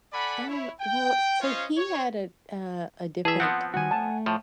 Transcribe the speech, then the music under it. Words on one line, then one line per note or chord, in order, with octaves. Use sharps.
Um, well, so he had a a a different,
A4 D5 F#5 G#5 B5
E4 C#5
G5
C#4 F4 C5 C#5 D#5 F5
C#5
E3 G#4 E5 A5 E6
F3 B3 C4 F#5
D#3 G3 F#4 F#5 G#5
A3 A5
A2 F3